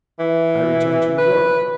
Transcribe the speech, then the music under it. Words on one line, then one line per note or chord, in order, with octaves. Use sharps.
I returned to New York.
E3
B4